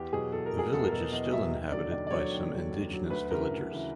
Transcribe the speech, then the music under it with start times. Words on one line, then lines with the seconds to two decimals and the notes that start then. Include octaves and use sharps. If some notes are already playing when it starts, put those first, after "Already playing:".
The village is still inhabited by some indigenous villagers.
Already playing: E2 G4
0.13 B2 F#3 G#4
0.32 E2 A4
0.46 A#4
0.53 B2 F#3
0.59 G#4
0.73 E2 A4
0.84 A#4
0.92 B2 F#3 A4
1.11 E2 D#5
1.32 B2 F#3 E5
1.52 D#2
1.71 D3 F#3 D5
1.91 D#2 D5
2.07 D5
2.11 D3 F#3 C#5
2.31 D#2
2.51 D3 F#3
2.71 D#2
2.91 D3 F#3
3.10 D2 B4
3.31 C#3 E3 A#4
3.50 D2
3.70 C#3 E3